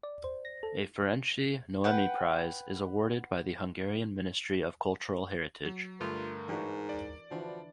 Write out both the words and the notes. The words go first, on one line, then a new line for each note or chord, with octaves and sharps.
A Ferenczy Noemi Prize is awarded by the Hungarian Ministry of Cultural Heritage.
D5
C5
A#6
A4
B4 F#5 G5
F#3
G2 D3 A3 F4 A#4 B4
G#2 E3 D4 F#4
D5
D3 E3 F3 D4 F#4